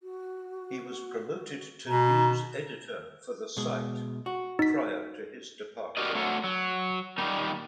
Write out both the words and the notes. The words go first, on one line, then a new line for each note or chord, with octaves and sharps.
He was promoted to news editor for the site prior to his departure.
F#4
B2 A#5
B2 G#3
F#4
D#4 B6
F#4 G4 A#4 D5 D#5
A3 D4 F#4 A4 C#5 F#5
F#3
A#2 D#3 G3 D#4 G4